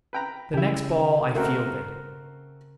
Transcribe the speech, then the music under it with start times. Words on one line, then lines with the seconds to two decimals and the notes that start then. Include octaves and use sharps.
The next ball I fielded.
0.13 B4 G5 A#5
0.54 C#3 E4 G4
1.35 A3 C4 F#4 A#4